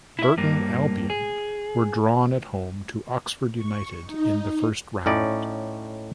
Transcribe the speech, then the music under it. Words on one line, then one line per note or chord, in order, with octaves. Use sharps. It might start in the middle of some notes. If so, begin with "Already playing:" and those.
Burton Albion were drawn at home to Oxford United in the first round.
E4 E5
G2 A#3
G#4
C#6
D#4
A2 C#4 D#4 D5